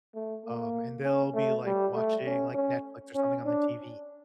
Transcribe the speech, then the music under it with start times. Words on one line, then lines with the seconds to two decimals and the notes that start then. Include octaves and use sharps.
um, and they'll be, like, watching, like, Netflix or something on the TV,
0.15 A3
0.45 A#3
1.05 C#4
1.34 A3
1.65 G3
1.94 A3
2.26 C#4
2.55 C#4
3.15 C#4
3.46 D4